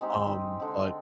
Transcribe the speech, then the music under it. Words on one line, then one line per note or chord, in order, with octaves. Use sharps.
um, but
G#3 C4 D#4 G4
D3 G#3 C4